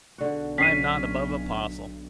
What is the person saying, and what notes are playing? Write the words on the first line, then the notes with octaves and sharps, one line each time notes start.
'I am not above a parcel.'
B1 D3 F#4
C#4 B6 C7 D#7